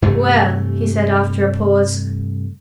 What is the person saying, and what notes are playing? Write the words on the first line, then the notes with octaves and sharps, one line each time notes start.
"Well?" he said after a pause.
G2 C3 E3 A3